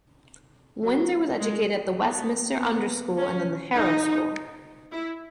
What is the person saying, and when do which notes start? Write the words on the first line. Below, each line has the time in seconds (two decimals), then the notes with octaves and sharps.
Windsor was educated at Westminster Under School and then Harrow School.
0.83 F#3
1.42 G#3
2.00 B3
2.58 B3
3.17 C#4
3.75 D#4
4.93 E4